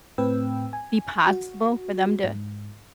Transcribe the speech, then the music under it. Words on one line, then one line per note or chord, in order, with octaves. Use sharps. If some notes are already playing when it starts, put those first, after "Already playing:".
be possible for them to
A2 C4 B4 G5 E6
G#5
F#4
G#2